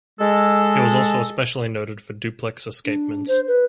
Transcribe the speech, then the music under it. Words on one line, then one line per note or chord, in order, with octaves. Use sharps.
He was also especially noted for duplex escapements.
G#3 A4
D4
C5
B4